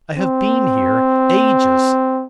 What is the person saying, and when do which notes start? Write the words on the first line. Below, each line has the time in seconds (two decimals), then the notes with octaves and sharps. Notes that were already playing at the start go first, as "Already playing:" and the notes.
'I have been here--ages!
0.17 C4